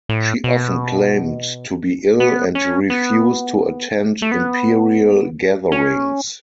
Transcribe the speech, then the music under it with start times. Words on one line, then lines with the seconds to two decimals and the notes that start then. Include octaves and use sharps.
She often claimed to be ill and refused to attend imperial gatherings.
0.09 A2
0.44 B2
2.20 B3
2.55 C#4
2.90 B3
4.22 A3
4.32 B3
5.72 C#4